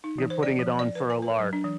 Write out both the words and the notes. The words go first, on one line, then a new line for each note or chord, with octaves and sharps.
You're putting it on for a lark.
D#4
E3
C5
D5
F3
D5
B4
G#5
A#4
F#3
D4
E3